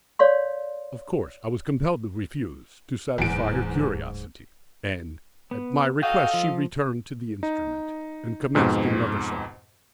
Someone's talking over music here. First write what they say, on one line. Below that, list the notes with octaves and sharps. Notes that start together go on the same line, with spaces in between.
Of course, I was compelled to refuse to satisfy her curiosity, and at my request she returned to the instrument and commenced another song.
C#5 D5 F5 C6
D1 E2 G#2 D7
B3
F#4 A4 D#5 F5 G5
F3
D#4
F2 G#2 B2